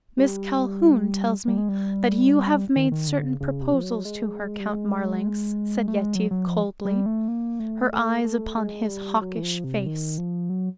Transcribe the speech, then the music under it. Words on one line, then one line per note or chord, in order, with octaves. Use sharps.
"Miss Calhoun tells me that you have made certain proposals to her, Count Marlanx," said Yetive coldly, her eyes upon his hawkish face.
G3
G3
G#3
G3
D#3
D#3
D3
C#3
C#3
C3
F3
F#3
G#3
G3
G#3
A3
G#3
F#3
F#3
F3
G3
A3
A#3
A3
A3
A3
G#3
G3
F#3
E3
F3
C3
D#3
F3
F#3